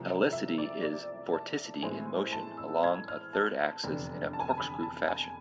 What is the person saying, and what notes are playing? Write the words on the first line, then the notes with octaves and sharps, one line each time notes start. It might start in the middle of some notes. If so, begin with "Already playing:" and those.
Helicity is vorticity in motion along a third axis in a corkscrew fashion.
Already playing: C2 C3 F3 A3
E5
D5
D5
A5
A2 E3 G#3 C4 E4 G#5
A5
E6
G#6
F6
A5
F1 E2 D3
A5
G#5
A5
B5
A5
G#5